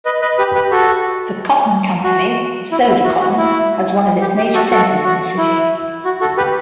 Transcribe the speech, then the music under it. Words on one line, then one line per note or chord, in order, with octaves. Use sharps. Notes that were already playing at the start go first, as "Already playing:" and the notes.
The cotton company Sodecoton has one of its major centres in the city.
B4 D#5
B4 D#5
G4 B4
G4 B4
F#4 A4
F#4
E4
E4
F#4
F#4
E4
G4
G4
F#4 A4
F#4 A4
F#4
E4
F#4
F#4 A4
G4 B4